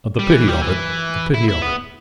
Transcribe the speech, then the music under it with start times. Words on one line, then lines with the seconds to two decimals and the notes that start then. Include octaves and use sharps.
But the pity of it--the pity of it!
0.19 G3
0.33 E3
0.48 G3
0.62 E3
1.34 E4
1.48 E4
1.62 B3